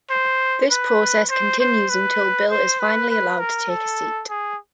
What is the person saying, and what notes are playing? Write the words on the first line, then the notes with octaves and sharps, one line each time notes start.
This process continues until Bill is finally allowed to take a seat.
C5
B4
C5
C5
B4
C5
B4
B4
A#4
A4
G#4